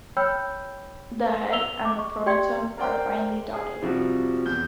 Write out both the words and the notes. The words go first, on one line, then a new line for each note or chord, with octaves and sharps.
The head and the pronotum are finely dotted.
C#5 G5 B5 E6 F6 G6
E6 F7 G7
D6
C#6
G4 D5 G5 C6 G#6 C#7
A#4 C5 D5 F#5 G5 C6
G#4
C3 F3 G3 F#4
E2 G6